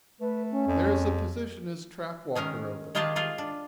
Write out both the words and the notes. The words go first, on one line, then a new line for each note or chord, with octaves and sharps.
There is a position as track-walker open.
A3 B4
C#4
F2
D#3 G#3 C#4 A#4
D#3 G#3 F4 G4 G#4 A5
D#4 F4 G#4
D4